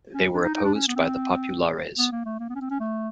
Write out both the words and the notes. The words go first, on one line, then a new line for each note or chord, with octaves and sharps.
They were opposed by the populares.
C#4
D4
D#4
D#4
D4
C#4
B3
C4
B3
A#3
A3
A#3
B3
C#4
C4
C#4
A3